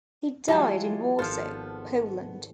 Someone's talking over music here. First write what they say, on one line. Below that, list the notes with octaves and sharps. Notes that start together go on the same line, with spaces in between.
He died in Warsaw, Poland.
E3 F#3 G#3 F4 G4 A5
G#1 F3 B3 F4 A4